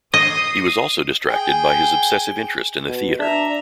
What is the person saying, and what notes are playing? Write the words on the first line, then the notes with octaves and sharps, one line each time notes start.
He was also distracted by his obsessive interest in the theater.
D#5 D#6 C7
G#4 G5
B2
D4 E5 A#5